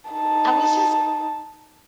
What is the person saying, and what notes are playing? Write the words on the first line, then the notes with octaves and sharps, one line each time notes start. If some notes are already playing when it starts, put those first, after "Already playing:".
I was just,
D#4 A5